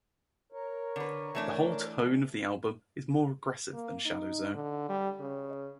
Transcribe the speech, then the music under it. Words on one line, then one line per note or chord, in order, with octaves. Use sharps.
The whole tone of the album is more aggressive than "Shadow Zone".
A#4 C#5
D3 B4
E3 A3 D4
A#3
D#4
D3
G3
C#3